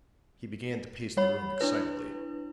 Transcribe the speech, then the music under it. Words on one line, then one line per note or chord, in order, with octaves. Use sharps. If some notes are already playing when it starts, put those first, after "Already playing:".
He began to pace the room excitedly.
G3 C#5 B5
D4 E4 B4